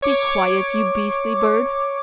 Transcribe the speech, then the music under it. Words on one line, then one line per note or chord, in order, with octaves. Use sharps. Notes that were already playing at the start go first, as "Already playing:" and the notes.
"Be quiet, you beastly bird!"
C#5 D6